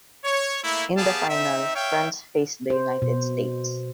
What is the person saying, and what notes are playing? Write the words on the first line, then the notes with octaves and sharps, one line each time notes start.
In the final, France faced the United States.
C#5
A3 A#3 E4
B3 G4 G#4 F5 A5
C4 D#4 E5
C#5 E5 F5 G5
C5
B2